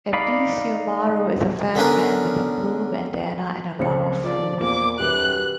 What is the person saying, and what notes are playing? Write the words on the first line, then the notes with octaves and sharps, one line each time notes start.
Ebisumaru is a fat man with a blue bandana and a love of food.
D#4 D5 F5 B5
D3 B3 C#4 D4 A#4
C#2 A#2 C#3 C5 C#7
F3 D5
E2 A#2 A#3 D6
D#1 F#2 G4 B4 F#6